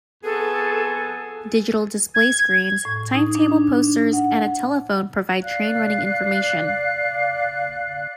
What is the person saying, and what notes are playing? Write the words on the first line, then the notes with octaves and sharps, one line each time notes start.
Digital display screens, timetable posters and a telephone provide train running information.
F2 B3 G#4 A4
G#6
A2
D#4
D4
F#5
D5 F5 F#6